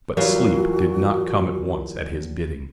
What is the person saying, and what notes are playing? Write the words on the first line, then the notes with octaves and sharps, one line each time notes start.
But sleep did not come at once at his bidding.
E2 E3 F#3 G3 F4 F#4 A#4 C#5